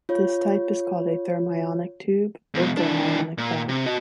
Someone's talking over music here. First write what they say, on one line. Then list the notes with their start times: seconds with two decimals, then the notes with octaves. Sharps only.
This type is called a thermionic tube or thermionic valve.
0.09 F4 C#5
2.55 E2 B2
2.77 E3 D4
3.38 A#2
3.69 C3
3.86 F#4 D#5